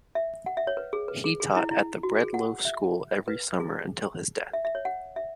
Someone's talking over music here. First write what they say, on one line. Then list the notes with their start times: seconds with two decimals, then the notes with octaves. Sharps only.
He taught at the Breadloaf School every summer until his death.
0.15 E5
0.46 F#5
0.57 E5
0.67 C#5
0.77 B4
0.93 G#4
1.08 B4
1.24 G#4
1.40 G#4
1.56 E4
1.71 E4
2.03 F#4
2.18 G#4
2.34 F#5
2.65 E5
3.28 B4
3.60 G#4
4.53 E5
4.65 E5
4.75 C#5
4.85 F#5
5.16 E5